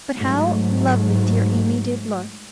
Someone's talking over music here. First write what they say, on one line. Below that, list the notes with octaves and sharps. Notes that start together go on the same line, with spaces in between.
But how lovely dear Amy did look.'
G#2 F#3 A3